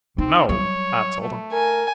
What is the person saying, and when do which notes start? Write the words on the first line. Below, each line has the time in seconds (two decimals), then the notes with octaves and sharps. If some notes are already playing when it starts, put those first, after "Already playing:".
No,' I told him.
0.18 C4 D#4
0.49 F#3 G3 C#5
1.21 A3
1.52 A#4 G#5